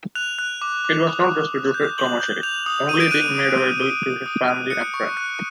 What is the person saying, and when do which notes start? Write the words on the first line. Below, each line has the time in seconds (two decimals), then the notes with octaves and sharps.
It was not distributed commercially, only being made available to his family and friends.
0.15 F#6 F7
0.39 F#6
0.62 D6
0.84 D6
1.07 D#6
1.30 D#6
1.53 D#6
1.74 G6
1.98 G6 F#7
2.20 G6
2.43 G6 F7
2.66 D#6
2.89 D#6 D#7
3.00 D7
3.11 F#6 D#7
3.34 D#6
3.58 F#6
3.80 D#6
4.03 D#6
4.26 D#6
4.48 F#6
4.70 F#6 C#7
4.94 C#6
5.17 F#6